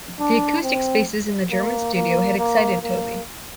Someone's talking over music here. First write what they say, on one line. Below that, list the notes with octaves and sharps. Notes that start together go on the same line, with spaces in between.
The acoustic spaces in the German studio had excited Tovey.
D4
C4
A#3
A#3
A#3
A#3